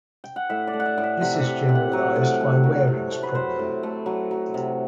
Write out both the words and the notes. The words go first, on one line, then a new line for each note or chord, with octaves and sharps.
This is generalized by Waring's problem.
G5
F#5
A2 E5
D5
A3
F#5
E5
A2
E5
C3 F#5
E5
F#5
C3
C3
F#5
F#3 F#5
A2
A3
F#3
C3
A3
B4
F#3 C5
A2
A3
F#3
F#3
C3